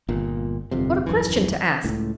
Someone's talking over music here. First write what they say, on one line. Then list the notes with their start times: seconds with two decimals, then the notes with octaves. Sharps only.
What a question to ask!
0.09 G1 A#2
0.71 G1 F2 C3
1.06 D#1 F#2 E3
1.84 C#2 A2